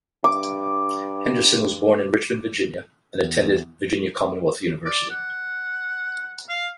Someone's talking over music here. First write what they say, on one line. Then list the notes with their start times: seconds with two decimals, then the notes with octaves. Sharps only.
Henderson was born in Richmond, Virginia and attended Virginia Commonwealth University.
0.24 G2 D6
3.23 E2
4.85 D5
5.10 F#5
6.49 F5